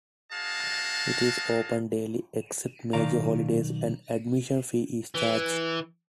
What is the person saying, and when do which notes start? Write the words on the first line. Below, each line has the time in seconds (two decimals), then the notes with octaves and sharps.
It is open daily except major holidays; an admission fee is charged.
0.32 D4 F#4 G#4 D#5 F5 A5
2.93 B1 D#3 D5 F5 A#5
5.15 E3